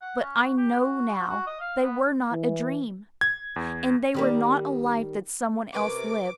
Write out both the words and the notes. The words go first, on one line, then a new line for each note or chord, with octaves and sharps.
But I know now; they were not a dream, and they were not a life that some one else lived.
F#5
C#4
F#4
G4
F#4
F#4
F#4
D#5
F5
B3
E3
G#6
E2
D#3 G3 A#3
C3 C#4 A#4 B4 D6